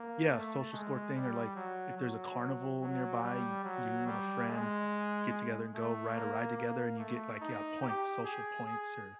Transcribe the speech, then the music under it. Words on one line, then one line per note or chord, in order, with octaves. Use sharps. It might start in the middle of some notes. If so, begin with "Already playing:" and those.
Yeah, social score thing or, like, if there's a carnival nearby, you you and a friend n get together and go ride a ride together and you get, like, yeah, points, social points or
Already playing: A#3
A3
G#3
G3
F#3
F#3
F#3
G3
F#3
G3
G#3
A3
A#3
A#3
A3
D#4
G4
G#4
G#4